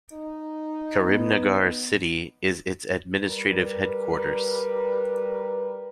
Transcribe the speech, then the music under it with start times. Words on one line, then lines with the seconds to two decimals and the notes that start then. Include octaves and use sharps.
Karimnagar city is its administrative headquarters.
0.13 D#4
1.03 B3
3.20 G3 A#4 B4